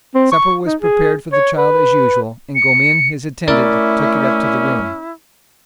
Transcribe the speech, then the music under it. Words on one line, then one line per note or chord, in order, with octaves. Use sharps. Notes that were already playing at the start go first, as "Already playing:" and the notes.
Supper was prepared for the child as usual, and Gomin, his attendant, took it up to the room.
C4
C#6
D#4
G#4
C#5
B4
C#7
A3 C#4 E4 A#4 D5 D6